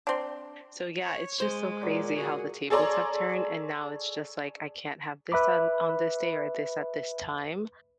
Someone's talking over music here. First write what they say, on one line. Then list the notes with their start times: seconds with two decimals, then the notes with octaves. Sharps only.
So, yeah, it's just so crazy how the tables have turned and now it's just, like, I can't have this on on this day or this at this time.
0.07 C4 D4
1.05 C#5
1.40 G#3 C5
1.82 A#2 F#3 D6
2.15 F#4 G#4
2.70 G#4 A4 C#5 D5 A#5 C6
5.32 B4 E5 B5 D6